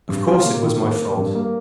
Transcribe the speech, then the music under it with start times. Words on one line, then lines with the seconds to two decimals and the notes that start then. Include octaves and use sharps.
Of course it was my fault.
0.09 G2
0.27 F4
0.45 A#3
0.63 D#3
0.82 A#3
0.99 A#3
1.17 G2
1.35 A#3